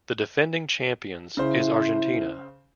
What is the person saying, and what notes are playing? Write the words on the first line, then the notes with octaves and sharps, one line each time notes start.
The defending champions is Argentina.
C#3 E4 C5